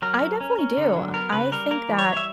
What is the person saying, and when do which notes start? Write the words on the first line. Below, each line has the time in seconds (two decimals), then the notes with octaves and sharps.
I definitely do. I think that,
0.02 F#3 A#4
0.21 F#3
0.41 C#4
0.59 C#4
0.77 D3
0.96 F#3
1.14 B3 A#4
1.32 C#3 B4
1.52 G3 A#4
1.71 A#3 A#4
1.89 E3
1.98 C#5
2.08 G3
2.17 E5